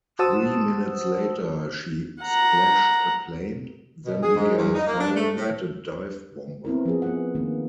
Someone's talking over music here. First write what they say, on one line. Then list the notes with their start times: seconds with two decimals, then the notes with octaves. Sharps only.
Three minutes later, she splashed a plane, then began firing at a dive bomber.
0.19 F#4 C5 F#5 A5 D#6 E6
2.21 F#5 A#5
4.05 B2
4.22 G#4
4.36 G#2
4.57 E2
4.74 D#4
4.87 A#3
5.00 D4
5.16 A3
5.37 A2
6.65 B3 C4 E4 A#4
6.85 F3 G#4
7.02 B3 F#5
7.35 D#3 A#3 B3